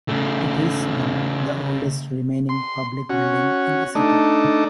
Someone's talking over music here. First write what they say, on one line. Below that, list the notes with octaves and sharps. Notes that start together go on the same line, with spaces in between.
It is now the oldest remaining public building in the city.
C#3 A3
C6
C#4 F#4
A3 D4 D#4